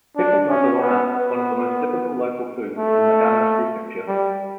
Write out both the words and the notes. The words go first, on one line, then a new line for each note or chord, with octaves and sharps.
Pickled nozawana is one of the most typical local foods in Nagano Prefecture.
D4
C#4
B3
B3
A3
G3